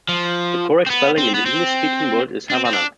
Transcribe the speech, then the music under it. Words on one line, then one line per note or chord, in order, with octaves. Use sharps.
The correct spelling in the English speaking world is Havana.
F3
C4
B3
C4
B3
C4
D4
C4
C4
D4